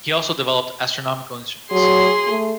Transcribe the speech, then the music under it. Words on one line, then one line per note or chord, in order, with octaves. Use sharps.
He also developed astronomical instruments.
F#3 G#4 C6
A3